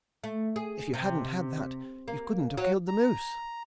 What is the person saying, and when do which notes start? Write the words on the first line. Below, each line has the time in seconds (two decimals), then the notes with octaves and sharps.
"If you hadn't had that you couldn't have killed the moose."
0.24 A3
0.56 G#4
0.94 C3
2.08 A#3
2.58 F#3
2.88 A#5